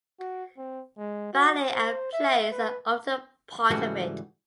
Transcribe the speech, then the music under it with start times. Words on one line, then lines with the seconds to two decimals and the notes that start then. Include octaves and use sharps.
Ballet and plays are often part of it.
0.20 F#4
0.57 C4
0.98 G#3
1.33 F#4
1.71 C5
2.13 E5
2.51 B4
3.71 G#2 C#3 E3 G3 A3 F#4